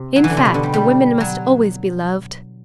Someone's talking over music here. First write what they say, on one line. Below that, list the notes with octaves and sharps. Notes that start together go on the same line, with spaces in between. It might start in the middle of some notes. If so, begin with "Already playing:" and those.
In fact, the women must always be loved.
Already playing: C3
F#3
E3
D3
C3
B2
D3
G3
G3
F#3